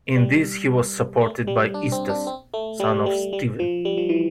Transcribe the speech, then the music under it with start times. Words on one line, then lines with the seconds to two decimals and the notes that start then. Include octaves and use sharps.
In this he was supported by Eustace, son of Stephen.
0.16 G3
1.21 A3
1.47 G3
1.74 D4
1.92 C4
2.09 D4
2.27 C4
2.54 A3
2.80 G3
3.06 G3
3.33 G3
3.60 F3
3.85 G3
3.97 F3
4.09 E3